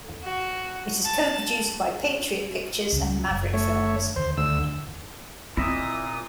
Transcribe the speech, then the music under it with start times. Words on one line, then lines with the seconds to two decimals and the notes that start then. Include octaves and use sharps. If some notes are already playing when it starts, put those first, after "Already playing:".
It is co-produced by Patriot Pictures and Maverick Films.
0.23 F#4
1.05 A5
2.92 C#2 C#3
3.29 F#1
3.54 A3 C#5
4.16 D#2 D3 C5
4.38 D2 E6
5.57 A#2 C4 E4 D#5 E5 D#6